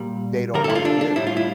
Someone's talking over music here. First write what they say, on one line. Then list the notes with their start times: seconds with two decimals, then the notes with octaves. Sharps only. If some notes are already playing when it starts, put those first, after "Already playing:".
they don't wanna do."
Already playing: A#2 G3
0.54 G2 D3 G3 A#4
0.64 A4
0.70 E4
0.75 F4
0.85 D4
1.01 D4
1.16 A2 G3 E4
1.27 F4
1.37 E4